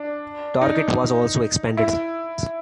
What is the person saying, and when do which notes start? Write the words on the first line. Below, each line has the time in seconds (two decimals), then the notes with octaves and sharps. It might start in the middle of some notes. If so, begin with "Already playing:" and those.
Target was also expanded in size.
Already playing: D4
0.61 D#4
1.77 E4